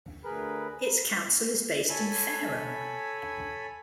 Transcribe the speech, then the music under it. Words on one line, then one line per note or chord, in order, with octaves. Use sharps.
Its council is based in Fareham.
D2 G#4 A#4 B4 B5
A4 C#5 G#5 B5